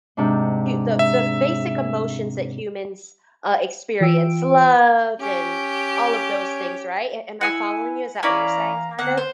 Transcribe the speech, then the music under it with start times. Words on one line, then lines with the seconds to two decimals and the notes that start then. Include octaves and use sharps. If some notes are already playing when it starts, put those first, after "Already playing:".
hu the the basic emotions that humans, uh, experience, love and all of those things, right, am am I following you? Is that what you're saying kind of?
0.17 G#2 C3 D4
0.99 E5
4.00 E3 F4 G5 E6 D7
5.20 C#4 G4
7.41 E4 F#5 G#5 E6
8.23 E3 C#4 E4 D5 F5 A#5
8.99 D3 A#3 B3 F#5
9.17 C5